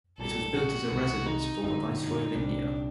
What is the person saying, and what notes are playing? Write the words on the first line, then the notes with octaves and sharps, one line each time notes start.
It was built as a residence for the Viceroy of India.
A#1 A#2 G3 A4
F#4
C2 C3 D#3 F#4
D#4
G1 F#2 F#3 D#4
D#4
C2 A#2 G3 D4